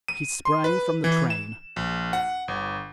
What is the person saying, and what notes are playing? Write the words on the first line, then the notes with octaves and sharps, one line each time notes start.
He sprang from the train.
D#7
C6
B4
E3
E7
A#1
F#5
G1